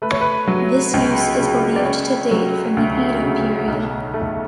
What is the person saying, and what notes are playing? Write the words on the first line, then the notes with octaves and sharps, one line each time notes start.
This use is believed to date from the Edo period.
A3 B4
C#5
B4
F#3
C#2
C#3
D5
C#4 C#5
F#3
D2
C#3
B1
A3